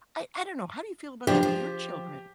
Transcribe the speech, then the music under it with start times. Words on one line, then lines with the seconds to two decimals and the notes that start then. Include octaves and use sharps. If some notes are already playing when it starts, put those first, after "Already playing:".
I I don't know. How do you feel about that with your children?
1.27 C#3 F3 D4 G4
1.43 F3